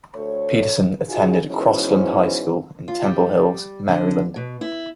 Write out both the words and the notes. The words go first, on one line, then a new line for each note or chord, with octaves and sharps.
Peterson attended Crossland High School in Temple Hills, Maryland.
D2 A3 C#5
D#4 F4 F#4 G#4
G#2 B2 E3 C#4 C5
F4
G3
D3
B2
E4